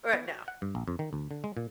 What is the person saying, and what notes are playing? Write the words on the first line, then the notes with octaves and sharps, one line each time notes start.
Right now.
B3
F#4
F#5
G2
A#1
F2
D#3
D2
D3
G#3
A#2